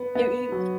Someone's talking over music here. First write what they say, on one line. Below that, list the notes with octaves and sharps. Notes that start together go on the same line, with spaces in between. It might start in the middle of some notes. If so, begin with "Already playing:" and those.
You you
Already playing: B3
B3
F#3